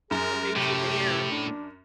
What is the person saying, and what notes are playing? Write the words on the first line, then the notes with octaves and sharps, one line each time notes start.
amazing to hear.
F#2 G#4 A#4
A2 C3 G4
D4